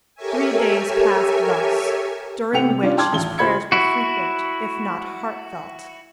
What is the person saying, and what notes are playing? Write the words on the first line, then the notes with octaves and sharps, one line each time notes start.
Three days passed thus, during which his prayers were frequent, if not heartfelt.
G4 A4 A#4 C#5 E5 G#5
C3 A3 F#5 G5 C#7 F7
C3
G3 C#4 D4 F4
G5 A5 C6 D6 F6 G#6
D#1 A1 G7
C#2 G4 C5 B5 G#6 C#7
E4 F#4